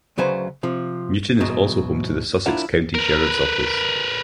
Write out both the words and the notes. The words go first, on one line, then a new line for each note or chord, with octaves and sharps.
Newton is also home to the Sussex County Sheriff's Office.
D2 C#3 F#3 B4 C5 G#5
C3 F3
E2 G#2 B2 F#3
D4 E4 F4 A#4 C#5 F#5
A#4 B4